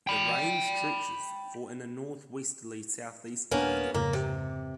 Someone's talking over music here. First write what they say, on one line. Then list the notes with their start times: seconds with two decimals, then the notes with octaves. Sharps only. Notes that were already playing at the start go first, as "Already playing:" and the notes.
The range stretches for in a northwest-southeasterly direction.
0.07 G5 B5
3.51 D#1 A#3 B3 C#4 D4
3.94 F2 G#2 C#3 A#3
4.13 C3